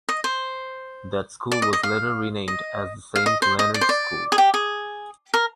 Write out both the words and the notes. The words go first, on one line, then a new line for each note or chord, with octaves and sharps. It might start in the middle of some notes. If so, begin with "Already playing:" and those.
That school was later renamed as the St Leonards School.
D#5
C5
D5
D#5
D#5
F5
D#5
F5
D#5
C5
D#5
D5
C5
D5
G#4
G4
G#4
A#4